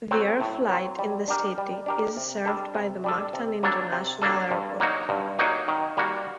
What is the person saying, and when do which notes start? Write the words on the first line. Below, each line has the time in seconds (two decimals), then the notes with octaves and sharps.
The air flight in the city is served by the Mactan International Airport.
0.11 F#3 C4
0.41 A2
0.69 F#3 C4
0.99 G3
1.28 D4 G4 A#4
1.58 G3
1.86 D4 G4 A#4
2.17 C3
2.45 G3 D4 A4
2.75 C3
3.04 G3 D4 A4
3.33 C3
3.63 F#3 A#3 D4 A4
3.92 C3
4.22 F#3 A#3 D4 A4
4.51 G2
4.80 F#3 A#3 D#4 F#4
5.09 G2
5.39 F#3 A#3 D#4 F#4
5.68 D#3
5.97 G3 A#3 F#4